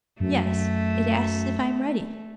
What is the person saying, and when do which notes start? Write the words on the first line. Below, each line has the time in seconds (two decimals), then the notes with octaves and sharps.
"Yes; it asks if I am ready."
0.20 F#2 A3